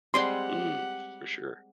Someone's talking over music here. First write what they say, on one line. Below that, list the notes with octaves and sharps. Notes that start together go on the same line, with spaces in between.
Mm, for sure.
G3 G#3 C4 G4 F#5 C6